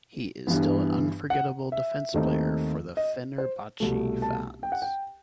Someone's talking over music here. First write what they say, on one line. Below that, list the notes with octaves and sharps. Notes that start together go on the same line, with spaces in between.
He is still an unforgettable defence player for Fenerbahce Fans.
G2 E3 B3
F#5
E5
D#2 D#3 A3 C4 D#4
D#5
C5
C2 B2 A3
A5
G5
F#5
G5